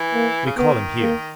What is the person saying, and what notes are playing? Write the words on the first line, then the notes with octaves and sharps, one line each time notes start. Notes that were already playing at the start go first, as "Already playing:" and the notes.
We call heem here.
Already playing: E3
A#3
C#3
D#3 B3
A#3